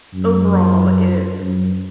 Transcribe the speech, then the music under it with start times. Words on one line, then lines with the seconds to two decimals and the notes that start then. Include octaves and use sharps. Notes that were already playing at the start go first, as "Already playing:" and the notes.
overall, it's
0.14 F#2
1.41 F#2